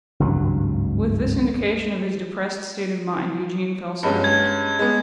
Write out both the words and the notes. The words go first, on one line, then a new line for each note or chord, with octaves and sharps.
With this indication of his depressed state of mind, Eugene fell silent.
G#1 C#2 G2 F#3
G2 G#3 C#4
G#6
G#3 B3